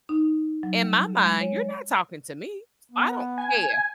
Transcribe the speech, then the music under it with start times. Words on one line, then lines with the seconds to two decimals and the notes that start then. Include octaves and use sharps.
in my mind, you're not talking to me, s I don't care.
0.09 D#4
0.63 F#3
0.80 G3
1.20 G#3
1.40 C#5
2.92 B3
3.38 G#5